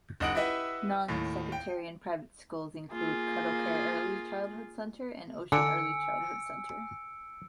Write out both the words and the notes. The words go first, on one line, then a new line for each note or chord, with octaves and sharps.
Nonsectarian private schools include Cuddle Care Early Childhood Center and Ocean Early Childhood Center.
F#1 D#4 F#5 D#6 D7 F#7
E4 G4 B4 D#5 E5 F#5
D#2 A2
G5
A#3 F4 G#4
D3 G#5 E6 C#7 D7